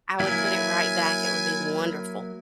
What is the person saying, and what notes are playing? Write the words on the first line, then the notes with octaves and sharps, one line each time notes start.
I would put it right back, it would be wonderful.
F#3 A#3 E4 G#5